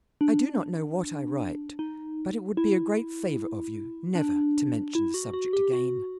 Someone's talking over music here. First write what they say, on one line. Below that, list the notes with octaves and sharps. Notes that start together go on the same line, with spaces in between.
I do not know what I write, but it would be a great favour of you never to mention the subject again.
D4
D#4
E4
D4
E4
F#4
F#4
G4
F#4